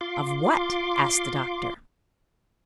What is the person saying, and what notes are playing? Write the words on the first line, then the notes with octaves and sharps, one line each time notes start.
"Of what?" asked the Doctor.
F4 C6 D6